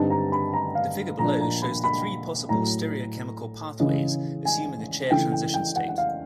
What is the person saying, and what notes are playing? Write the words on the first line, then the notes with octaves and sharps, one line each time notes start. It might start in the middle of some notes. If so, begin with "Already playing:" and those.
The figure below shows the three possible stereochemical pathways, assuming a chair transition state.
Already playing: G2 D3 G3 C4 D#4 A5
A#5
B5
A#5
F5
A#2 F3 A#3 D4 A#5
A#5
B5
B5
A2 F#3 A3 A#5
C#3 E3 G#3
G#5
C#3 E3 A3 G5
G5
G5
F#5
F#5
F5